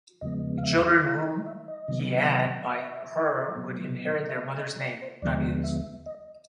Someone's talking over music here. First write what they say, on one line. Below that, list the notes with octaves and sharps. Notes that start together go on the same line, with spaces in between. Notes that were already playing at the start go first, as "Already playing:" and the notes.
The children whom he had by her would inherit their mother's name, not his.
E2 C#3 F3 G#3 B3 D#5
F5
E5
F5
D#5
E5
D#5
C3 D#3 F#3 B3
E5
B2 F#3 B3
E5
D#5
D#5
D5
C5
D#2 D3 F3 G#3 B3 D5
E5
D#5